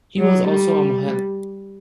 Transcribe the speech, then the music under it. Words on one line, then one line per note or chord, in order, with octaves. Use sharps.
He was also a mohel.
F#3
G3